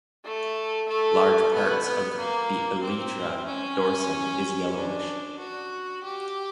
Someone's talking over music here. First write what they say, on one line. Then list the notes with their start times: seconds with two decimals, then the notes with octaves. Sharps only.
Large part of the elytra dorsum is yellowish.
0.24 A3
0.88 A3
1.53 B3
1.85 B3
2.18 A#3
2.82 C4
3.46 C#4
4.75 D4
5.39 F#4
6.04 G4